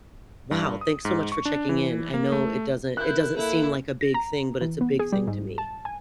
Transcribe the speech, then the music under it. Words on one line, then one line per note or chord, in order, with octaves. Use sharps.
"Wow, thanks so much for checking in. I know it doesn't it doesn't seem like a big thing, but it's a big thing to me."
G2
D#6
G#2
C#6
D4
E3
A#3
A3
E4 A#4 F#6 G6
A#3 E4 A4
A#6
A#5
E3
B3
G#4
G3
G#2
A5
G#5